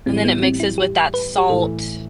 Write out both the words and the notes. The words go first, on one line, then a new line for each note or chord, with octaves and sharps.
And then it mixes with that salt.
A2 E3 G3 C4
B3
C4
E4
G4
B4
G4
A2 E3 A3 A4